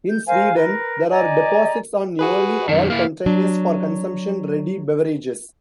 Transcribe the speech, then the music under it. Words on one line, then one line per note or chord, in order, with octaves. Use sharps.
In Sweden, there are deposits on nearly all containers for consumption-ready beverages.
G6
A#4 C5 F5 G#5
A#4 B4
D5 D#5 G#5 A#5
F#4 G#4 B4
F#2 D#3
A#3 E4 F5
F#3 D4